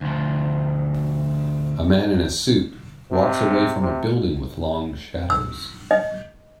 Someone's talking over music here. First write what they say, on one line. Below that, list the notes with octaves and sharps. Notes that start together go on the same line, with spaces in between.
A man in a suit walks away from a building with long shadows.
D2 F3
C3
C3
E6
D#5